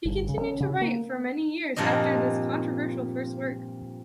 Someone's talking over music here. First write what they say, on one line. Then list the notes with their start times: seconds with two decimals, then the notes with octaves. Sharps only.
He continued to write for many years after this controversial first work.
0.05 G1
0.28 C#3
0.41 C#4
0.60 C#3
0.81 A#3
1.76 G2 A#2 F3 C4 D#5